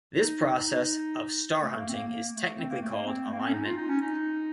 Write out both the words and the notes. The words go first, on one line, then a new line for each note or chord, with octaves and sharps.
This process of star-hunting is technically called alignment.
D#4
D#4
A3
A#3
C4
A#3
A#3
A3
C4
A#3
A3
A#3
C4
A3
A#3
C4
C#4
D#4
F4
D#4
C#4
D#4